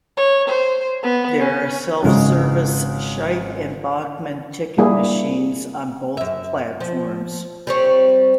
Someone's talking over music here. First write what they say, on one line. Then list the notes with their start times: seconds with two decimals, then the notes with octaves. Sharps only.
There are self-service Scheidt and Bachmann ticket machines on both platforms.
0.17 C#5
0.48 C5
1.03 B3
1.39 C#4
2.03 G#1 C#3 G#3
4.78 G3 A#3 E4 G#4
6.17 F#2 E5
6.81 F3
7.67 G3 C4 C#5